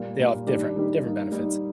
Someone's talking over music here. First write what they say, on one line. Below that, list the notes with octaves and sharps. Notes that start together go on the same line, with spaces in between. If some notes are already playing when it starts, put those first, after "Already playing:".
they all have different different benefits.
Already playing: A#2 G3 A#3
A#2 G3 A#3
D#3 G3 D4 G4
D#3 G3 D4 G4
G3 A#3 D#4
G3 A#3 D#4